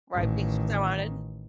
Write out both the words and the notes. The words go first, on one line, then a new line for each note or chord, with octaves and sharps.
Right, being so on.
A1 D#3